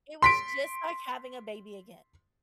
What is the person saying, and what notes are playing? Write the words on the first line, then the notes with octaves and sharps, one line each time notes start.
It was, just, like having a baby again.
C6 B6 D7